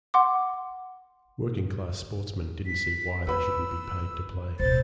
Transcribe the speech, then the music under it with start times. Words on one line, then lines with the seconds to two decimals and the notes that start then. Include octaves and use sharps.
Working class sportsmen didn't see why they shouldn't be paid to play.
0.14 F#5 C6 D6
2.66 B6
3.27 D#2 B4 B5 E6
4.60 D1 B2 C5 A6